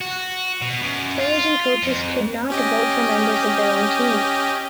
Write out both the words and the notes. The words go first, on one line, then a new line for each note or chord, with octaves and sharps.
Players and coaches could not vote for members of their own team.
F#4
B2
F#2
F4
F2
C#4 G4 D#5